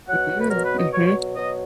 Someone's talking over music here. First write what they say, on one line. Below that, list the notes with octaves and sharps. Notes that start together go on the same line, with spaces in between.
Mhm, mhm.
B2 F#3 F#5
B4
B2 F#3 A#4
B4
D#5
B2 F#3 C#5
C#5
B2 F#3 D#5